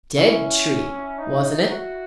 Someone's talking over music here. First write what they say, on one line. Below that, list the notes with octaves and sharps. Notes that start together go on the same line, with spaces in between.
"Dead tree, wasn't it?"
C#4 E4
D#4
F#4